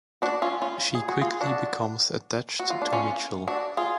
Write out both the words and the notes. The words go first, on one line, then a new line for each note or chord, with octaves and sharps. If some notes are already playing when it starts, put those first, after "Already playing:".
She quickly becomes attached to Michel.
D4 F#4
C#4 F4
C#4 F4
G#4
F#4
F4 G#4
D4 F#4
F#4
F4
D4
C#4 F4
D4 F#4
F4 G#4